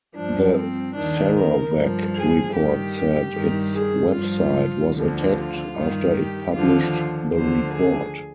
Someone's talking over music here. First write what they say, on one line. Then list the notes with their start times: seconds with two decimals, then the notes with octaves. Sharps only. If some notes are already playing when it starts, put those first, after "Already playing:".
The "Sarawak Report" said its website was attacked after it published the report.
0.16 G2 F3 D4
0.56 C4
0.95 D#2 D#3 D4
1.36 A#4
1.75 G2 F3
2.16 G#4
2.55 G2 D#3 G4
3.35 G2 D#3
3.75 G#4
4.14 G2 F3 F4
4.95 D2 D3 F3
5.34 F4
5.74 G2 D#3
6.14 G4
6.54 D#2 D3 F3 F4
7.33 D2 D3 F3 C5
7.73 G#4